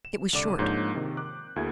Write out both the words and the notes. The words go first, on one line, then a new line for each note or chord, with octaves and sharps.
It was short.
E7
C2 D3 D5 D6 D#7
G#2 F3 A#3 D4 C#5 G6
C3 D#3
D6 F#6
D2 A#3 E4 G#4 G#6